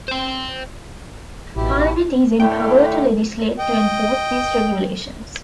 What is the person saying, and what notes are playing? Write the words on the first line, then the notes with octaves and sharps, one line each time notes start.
Parliament is empowered to legislate to enforce these regulations.
C5 G5
A1 B2 E4 G4
A2 D3 A3 G5
D#5 G5